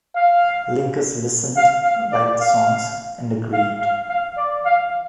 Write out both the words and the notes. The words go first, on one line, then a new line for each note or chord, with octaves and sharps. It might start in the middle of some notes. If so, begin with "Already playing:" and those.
Linkous listened, liked the songs, and agreed.
F5
F5
F5
D5
F5
F5
F5
F5
D5
F5